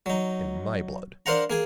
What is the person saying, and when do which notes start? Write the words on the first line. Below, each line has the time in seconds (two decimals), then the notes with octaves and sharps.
In my blood!
0.06 F#3 D#4
1.26 D4 A#4 C5 F5 F#5 A#5
1.50 A#3 G#4 G#5